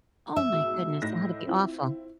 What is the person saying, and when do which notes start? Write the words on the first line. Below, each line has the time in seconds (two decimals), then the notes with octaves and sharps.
Oh my goodness, that had to be awful.
0.36 E5
0.52 G#2 B2
1.02 A2 D#4 A#6
1.46 C4 E4 F4